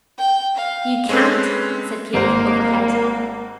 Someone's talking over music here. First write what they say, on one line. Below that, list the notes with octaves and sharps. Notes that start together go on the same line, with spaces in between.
"You can't," said Katy from overhead.
G5
F5
G#3 C4 C#4 A4 B4
G#1 A#3 C5